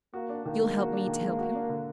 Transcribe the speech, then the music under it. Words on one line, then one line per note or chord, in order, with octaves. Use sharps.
You'll help me to help him?
A#3 F#4
D4
D#3 A#3
G#3
F#4
D4
D#3
G#3
F#4
D4
D3